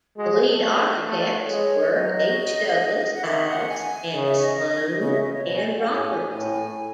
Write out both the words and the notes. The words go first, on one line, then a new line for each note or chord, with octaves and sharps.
The lead architects were H. Douglas Ives and Sloan and Robertson.
G#3 F#4
G#4
A4
A3
A3 A4
A4
B4
C#5
G#3 C#5
F#3 D#5
D#5
F#5
D#3 E5
F#5
G#5
C#3
E5
C#5
D#5
D#5
C#3 D#5
E5
D#5
C#5
B2 D#5
G#5
G#5
F#5
A2 G#5
A2 G#5